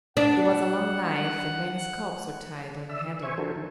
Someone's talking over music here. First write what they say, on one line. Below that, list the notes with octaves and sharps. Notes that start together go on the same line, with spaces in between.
It was a long knife and many scalps were tied on the handle.
D4 F#5
D5 E5 E6
E3
C5 E5 G#5 C#6
F3 D4 F#4 A4 A#4 C5
D#3